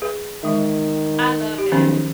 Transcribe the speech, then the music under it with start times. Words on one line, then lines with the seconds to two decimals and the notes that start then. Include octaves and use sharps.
I love that.
0.02 G#4 B4
0.43 D#3 E3 G#3 E5
1.58 G4
1.72 B1 D#3 F3 C#4